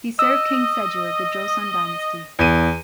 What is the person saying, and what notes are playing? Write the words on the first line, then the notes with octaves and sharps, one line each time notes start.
He served King Sejo of the Joseon dynasty.
D#5 E6
E2 D#7